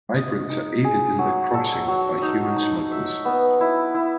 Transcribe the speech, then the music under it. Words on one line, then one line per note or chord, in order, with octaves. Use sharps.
Migrants are aided in the crossing by human smugglers.
D#5
D#4
G#4
F#3
A4
F#3
D#4
D#4
E5
B3
E4
E4